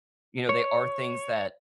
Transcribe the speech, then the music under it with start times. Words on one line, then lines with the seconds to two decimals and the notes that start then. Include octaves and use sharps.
you know, they are things that
0.49 C#5